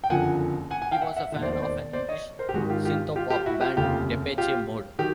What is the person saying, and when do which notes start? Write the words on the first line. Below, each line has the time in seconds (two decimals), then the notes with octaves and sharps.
He was a fan of an English synthpop band Depeche Mode.
0.04 G5
0.10 F#1 F2 D3 F3 F#5 G#5
0.71 F#5 G#5
0.81 F#5 G#5
0.91 F5 G5
1.01 E5 F#5
1.16 E5 F#5
1.32 E1 D#2 D#3 E5 F#5
1.42 C5 D5
1.52 C5 D5
1.62 C5 D5
1.93 C5 D5
2.09 C#5 D#5
2.39 A#4 C5
2.49 G4
2.54 G#1 G#2 D#3 F#4 G#4
2.70 F4 G4
2.85 F4 G4
3.16 F4 G4
3.30 F4 G4
3.46 E4 F#4
3.61 F4 G4
3.77 F1 D#2 C#3 F4 G4
4.38 F4 G4
4.99 D#3 F#3 G4